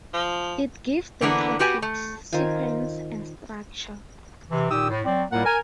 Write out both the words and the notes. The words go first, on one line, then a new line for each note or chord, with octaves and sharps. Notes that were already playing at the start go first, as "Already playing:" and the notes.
It gives the topics' sequence and structure.
F3
D3 E3 A#3 B3 D4
B3 F#4 G4 B4 G#5
A3
D#3 C4 F4 G#5
C3 E3
A#2 D#3 D#4 G4 D#6 E6
A2
F#3 C4 D5
A2 G3 A#3 F4 A#4 F#5
A#4 G#5